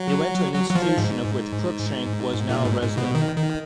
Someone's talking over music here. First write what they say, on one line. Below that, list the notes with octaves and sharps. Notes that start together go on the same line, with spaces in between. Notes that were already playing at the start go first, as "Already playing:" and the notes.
They went to an institution of which Crookshank was now a resident.
Already playing: F#3
F#3
F#3
F3
G#2
A#2
G#2
G#2
B2
D#3
D#3